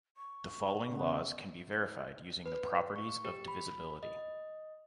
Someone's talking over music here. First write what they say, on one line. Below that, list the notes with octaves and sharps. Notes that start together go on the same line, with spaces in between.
The following laws can be verified using the properties of divisibility.
C#6
C#3 B3
B4
C#6
G4
B5
D#5